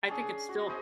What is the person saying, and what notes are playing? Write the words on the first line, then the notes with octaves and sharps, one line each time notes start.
I think it's still
C#4 D4 G#4
F#4
B3 G#4 C5 D#5